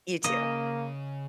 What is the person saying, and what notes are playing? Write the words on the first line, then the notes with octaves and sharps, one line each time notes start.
You too.
C#3 A#3 D#5